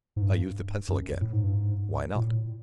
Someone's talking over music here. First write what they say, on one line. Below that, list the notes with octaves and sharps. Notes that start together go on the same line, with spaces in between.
I used the pencil again: "Why not?"
G#2
G2
F#2
A2
G#2
G2
G#2
A#2
A2